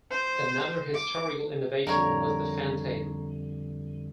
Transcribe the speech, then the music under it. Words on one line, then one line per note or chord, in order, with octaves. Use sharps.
Another historical innovation was the fantail.
C5
D6
F2 D3 G3 A#4 C#5